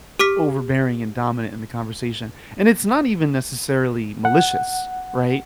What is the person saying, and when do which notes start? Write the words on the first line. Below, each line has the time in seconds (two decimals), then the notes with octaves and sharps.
overbearing and dominant in the conversation, and it's not even, necessarily, malicious, right?
0.19 G4 D6 F6 B6
4.25 F#5